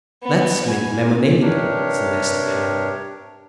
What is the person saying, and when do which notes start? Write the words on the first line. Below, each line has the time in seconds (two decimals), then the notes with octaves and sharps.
"Let's make lemonade," suggested Hal.
0.23 B3
0.65 G#5
1.41 G2 C3 D4 G4 A#4 C#5